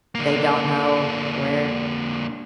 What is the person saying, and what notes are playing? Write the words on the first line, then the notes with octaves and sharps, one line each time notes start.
they don't know where,
D3 A#3